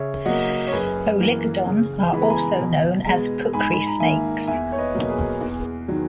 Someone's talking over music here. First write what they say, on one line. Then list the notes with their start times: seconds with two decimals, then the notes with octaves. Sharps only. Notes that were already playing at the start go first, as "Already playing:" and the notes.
"Oligodon" are also known as kukri snakes.
Already playing: C#3 C#5 E5
0.25 F#3 A#3 D#5 F#5
0.67 C#5
0.73 F#2 G#4 B4
1.20 E3 A#3
1.66 C#3
2.13 E3 G#3 B3 B5
2.22 A#5
2.30 G#5 B5
2.60 B2
3.07 G#3 B3
3.53 G#2 G#5 B5
3.73 B5
3.87 A#5
4.00 D#3 A#3 E5 G#5
4.47 E2 E5 G#5
4.72 C#5
4.78 B4 D#5
4.95 B2 F#3 A#3
5.09 G#4 B4
5.41 E2
5.88 D#3 F#3